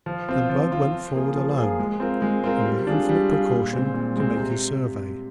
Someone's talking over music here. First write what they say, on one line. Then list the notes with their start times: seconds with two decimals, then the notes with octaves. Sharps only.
Then Blood went forward alone, and with infinite precaution, to make his survey.
0.06 F3
0.29 C4 F4
0.50 F3
0.72 C4 F4
0.92 F3
1.14 A#3 F4 G#4
1.36 F3
1.58 A#3 F4 G#4
1.79 G#3
2.00 C4 F4 A#4
2.22 G#3
2.44 C4 F4 A#4
2.65 G3
2.87 D4 F4 G#4
3.09 G3
3.30 D4 F4 G#4
3.51 A#2
3.73 G#3 C4
3.94 A#2
4.16 G#3 C4
4.37 C3